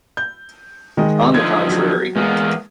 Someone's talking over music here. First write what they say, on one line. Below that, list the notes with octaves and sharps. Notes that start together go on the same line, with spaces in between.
On the contrary.
G6
D#3 G#3 D#5
D3 F3 D#4 G#6
F#3
E2 G#3 A#3 B3